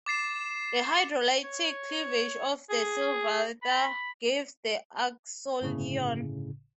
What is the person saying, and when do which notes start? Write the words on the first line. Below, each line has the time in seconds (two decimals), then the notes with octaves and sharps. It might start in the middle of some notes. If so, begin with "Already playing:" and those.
The hydrolytic cleavage of the silylether gives the acyloin.
0.06 D6 A6 C7 E7
1.43 C#5
2.70 G#4
3.62 B5
5.61 G1 A2 C#3